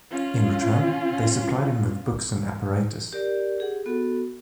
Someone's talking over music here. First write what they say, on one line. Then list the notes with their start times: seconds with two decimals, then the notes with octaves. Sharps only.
In return, they supplied him with books and apparatus.
0.10 C#4 F4
3.13 G4 A#4 D5
3.58 G4 G#4 F#5
3.86 B3 F#4 A4